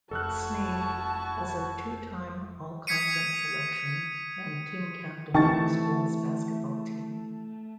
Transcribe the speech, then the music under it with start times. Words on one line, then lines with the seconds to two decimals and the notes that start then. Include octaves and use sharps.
Snee was a two-time All-Conference selection and team captain on the school's basketball team.
0.11 F1 E4 F#4 A4 A5 C#6 F6 F#6
2.87 D#6 G#6 B6 C#7 D#7
5.34 C3 D#3 E3 A3 A5 C#6 A6